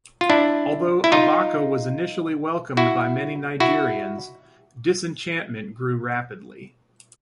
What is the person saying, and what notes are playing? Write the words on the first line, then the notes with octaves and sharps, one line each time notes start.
Although Abacha was initially welcomed by many Nigerians, disenchantment grew rapidly.
F4
D4 E4
E4
D#4 F4
E4 F#4
E4 F#4